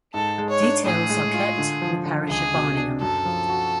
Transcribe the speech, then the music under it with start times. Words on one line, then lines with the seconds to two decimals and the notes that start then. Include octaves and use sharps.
Details are kept in the parish of Barningham.
0.14 G#2 A4
0.38 G#3
0.50 C#5
0.62 D4
0.86 A2 G#4
1.10 G#3
1.34 F4
1.58 D3
1.81 F3
2.05 D3
2.29 C#2 G#4
2.54 B2
2.77 D4
3.01 F#2 A4
3.25 F3
3.49 F#4